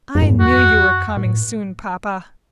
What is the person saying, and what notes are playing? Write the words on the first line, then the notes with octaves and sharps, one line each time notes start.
"I knew you were coming soon, papa."
F#2
G#2
F#2
E2 F#4
F#2
E2
F#2
A2